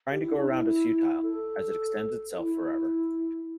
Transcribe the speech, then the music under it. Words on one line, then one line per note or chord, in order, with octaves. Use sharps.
Trying to go around is futile as it extends itself forever.
G4
E4
D4
E4
A4
E4